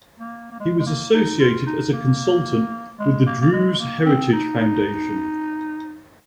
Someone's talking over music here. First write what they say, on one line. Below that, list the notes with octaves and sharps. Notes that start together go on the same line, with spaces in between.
He was associated as a consultant with the "Druze Heritage Foundation".
A#3
A#3
G#3
G#3
A#3
D#4
F4
D#4
A#3
G#3
A#3
A#3
G#3
A#3
C4
D#4
D#4